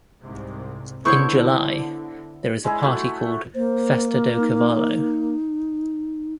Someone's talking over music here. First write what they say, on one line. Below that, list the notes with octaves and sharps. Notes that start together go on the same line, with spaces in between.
In July there is a party called "Festa do Cavalo".
C2 G#2 C3
D3 B3 E4 C5 C#5 C#6
G#3 E4 G#4
A3 F#4
A#3 C5
D#4